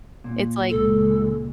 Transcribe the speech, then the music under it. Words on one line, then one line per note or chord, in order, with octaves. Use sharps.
it's like
A#2
C#2 C#3 G#3 A4